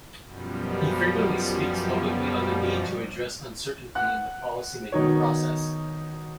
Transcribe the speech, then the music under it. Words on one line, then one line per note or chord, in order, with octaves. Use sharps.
He frequently speaks publicly on the need to address uncertainty in the policy-making process.
F#2 B2 F3 G3
F#5 F#6
B2 D#3 D#4 C#5